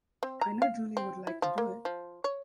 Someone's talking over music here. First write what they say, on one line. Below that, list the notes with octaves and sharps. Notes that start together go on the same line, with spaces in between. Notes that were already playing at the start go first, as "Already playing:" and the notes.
I know Julie would like to do it.
C4
A#5
F5
C4
E4
F3
A#3
F3
C#5